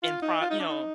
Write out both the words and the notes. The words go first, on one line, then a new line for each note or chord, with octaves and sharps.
in pro you know.
F4
D#4
F4
D#4
D4
D#4